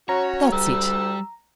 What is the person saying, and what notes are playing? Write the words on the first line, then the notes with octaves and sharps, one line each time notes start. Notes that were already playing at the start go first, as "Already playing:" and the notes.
That's it.
C#4 F#4 C#5 A#5
D2 G3 G4 E6